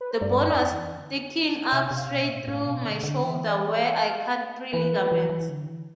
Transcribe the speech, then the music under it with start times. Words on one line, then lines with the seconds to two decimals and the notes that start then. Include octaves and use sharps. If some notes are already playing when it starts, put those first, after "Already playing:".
The bone was sticking up straight through my shoulder where I cut three ligaments.
0.01 B4
0.11 C5
0.21 G2 D5
0.46 F2
0.72 E3
0.96 D3
1.62 D5
1.73 C3 E5
1.91 C3
1.97 F5
2.10 B2
2.23 E5
2.28 A2
2.48 A2 F5
2.66 B2
2.85 D3
3.03 D3
3.23 E3 E5
3.47 D5
3.67 D5
3.73 E5
3.98 F5
4.73 E3 B4
4.93 F3
5.12 E3
5.29 E3
5.49 D3
5.67 E3